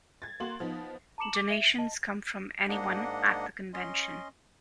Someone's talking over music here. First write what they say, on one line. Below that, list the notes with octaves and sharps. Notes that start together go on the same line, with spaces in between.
Donations come from anyone at the convention.
G#6 A6
A#3 F#4 C6 F#7
F3 B3 D#4
A5 A#5 D6 C#7 E7 F#7
D6
E5 C#7 D#7
D#7
D#5 A5
G#2 A#3 D4 D#5 F#5
C#4 D#5 C6